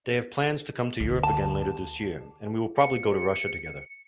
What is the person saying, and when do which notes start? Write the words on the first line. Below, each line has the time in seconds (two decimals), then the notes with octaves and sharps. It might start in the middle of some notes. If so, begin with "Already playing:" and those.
They have plans to come to Europe again later this year, and we will probably go to Russia together.
1.00 D2
1.23 A5
2.78 C#7